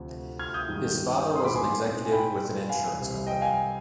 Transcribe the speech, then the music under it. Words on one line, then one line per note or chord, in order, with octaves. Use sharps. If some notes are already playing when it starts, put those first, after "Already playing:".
His father was an executive with an insurance company.
Already playing: D2 C3 F3
F6 G#6
D#6 G6
G2 D#3 G#3
C6 D#6
B5 D6
G#5 C6
B2 G#3 C4 D#4
G#5
G5 B5
F5 G#5
C2 C3 G3
D#5 G5
F5 G#5